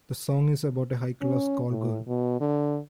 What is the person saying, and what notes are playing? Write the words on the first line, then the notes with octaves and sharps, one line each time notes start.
The song is about a high-class call girl.
C#4
A2
B2
D3